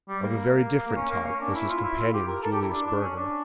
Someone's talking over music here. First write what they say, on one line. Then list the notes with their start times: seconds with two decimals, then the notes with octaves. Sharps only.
Of a very different type was his companion, Julius Burger.
0.08 G3
0.23 A#3
0.88 A#3
0.96 C#4
1.11 A#3
1.26 C#4
1.41 D4
1.55 E4
1.69 F4
1.83 E4
1.99 F4
2.14 G4
2.28 A#4
2.43 A4
2.52 G4
2.62 E4
2.72 D4
2.86 D4
3.01 C#4
3.16 D4